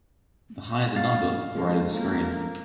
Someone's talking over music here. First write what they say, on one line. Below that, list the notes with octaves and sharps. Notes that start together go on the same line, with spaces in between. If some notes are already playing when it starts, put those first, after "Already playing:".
The higher the number, the brighter the screen.
F5 A6
F3 G#3 C4 A4
A#3